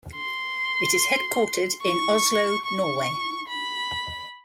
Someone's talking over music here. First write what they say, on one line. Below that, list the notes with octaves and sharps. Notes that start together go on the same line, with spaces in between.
It is headquartered in Oslo, Norway.
C6
C#6
C#6
B5